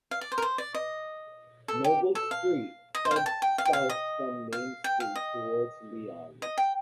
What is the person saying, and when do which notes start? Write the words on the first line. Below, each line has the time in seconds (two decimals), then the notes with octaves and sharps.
Noble Street heads south from Main Street toward Lyons.
0.11 F5
0.21 D5
0.32 C5
0.38 A#4
0.42 C5
0.58 D5
0.74 D#5
1.68 A4
1.84 G4
2.15 A4
2.31 F5
2.95 D#5
3.05 C5
3.11 F5
3.16 G5
3.26 A5
3.42 G5
3.58 F5
3.65 G5
3.73 F5
3.89 D#5
4.53 F5
4.84 G5
5.00 F5
5.16 D#5
6.42 D#5
6.58 G5